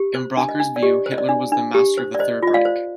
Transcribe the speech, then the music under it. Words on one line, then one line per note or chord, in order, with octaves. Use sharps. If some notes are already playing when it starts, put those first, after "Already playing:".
In Bracher's view, Hitler was the "Master of the Third Reich".
Already playing: G4
C5
D4
D#5
D4
D5
G4 D#5
C5
D#5
D5
D4
D4
G4
C5
D5
C5 D#5
F4 D#5
D5 F5
C5